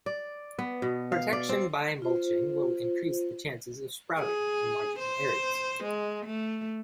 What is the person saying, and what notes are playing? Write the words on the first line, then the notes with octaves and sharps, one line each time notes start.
Protection by mulching will increase the chances of sprouting in marginal areas.
D5
B3
B2
F5
D5
C4
F4 C5
G#4
C5
G#3
A3